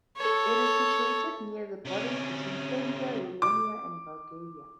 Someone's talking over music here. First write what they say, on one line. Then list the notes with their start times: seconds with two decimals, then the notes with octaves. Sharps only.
It is situated near the borders between Serbia, Romania and Bulgaria.
0.17 A4 C#5
1.85 C3 C#4
3.42 D6